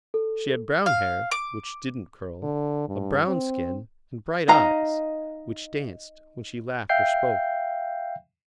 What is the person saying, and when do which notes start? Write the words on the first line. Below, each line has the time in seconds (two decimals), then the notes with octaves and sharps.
She had brown hair, which didn't curl, a brown skin, and bright eyes, which danced when she laughed or spoke.
0.14 A4
0.86 F5
1.31 D6
2.43 D3
2.88 G2
3.27 C4
4.48 D#4 D#5 F5 A#5
6.89 E5 F5 G5 G6 C7